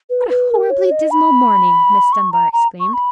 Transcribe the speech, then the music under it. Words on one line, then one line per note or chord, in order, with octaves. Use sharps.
"What a horribly dismal morning!" Miss Dunbar exclaimed.
B4
B4
A#4
C#5
D#5
B5
C#6
A#5
A#5
C#6
B5